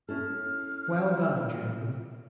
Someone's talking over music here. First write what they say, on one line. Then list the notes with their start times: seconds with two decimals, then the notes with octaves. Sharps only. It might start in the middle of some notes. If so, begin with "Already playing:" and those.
Well done June.
0.09 C#4 E4 A4 F6